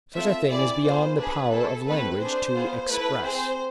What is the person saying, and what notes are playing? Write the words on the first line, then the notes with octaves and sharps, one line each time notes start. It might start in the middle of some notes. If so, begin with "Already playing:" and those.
Such a thing is beyond the power of language to express.
A3 C4 F4 A4 E5
C4 E4 G#4 D5
B3 F4 G#4 C5
D4 G#4 B4
B3 E4 G#4 A4
A3 C4 E4 A4 B4
D4 G#4 C5
B3 F4 G#4
A3 E4 A4 B4
C4 G#4 C5